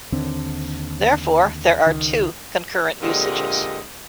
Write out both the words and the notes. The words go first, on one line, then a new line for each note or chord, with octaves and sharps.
Therefore, there are two concurrent usages.
D#2 D3 C4
C#2 D#3
F2 A#2 D3 G#3 G4 D#5